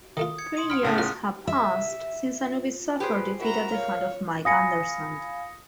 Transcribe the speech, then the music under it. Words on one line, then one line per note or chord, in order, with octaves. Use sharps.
Three years have passed since Anubis suffered defeat at the hand of Mike Anderson.
D#3 A3 F4 D#6
G#6 C#7
C6 D#6 D#7
F#5 G5 B5 F6
B1 A2 C#3
F4 A#4 F#6
E5
G4 G#4 B4 C5
E4 F#4 A#4 A#5
C#5 F5
F5 G#5 B5 D#6 A#6 C#7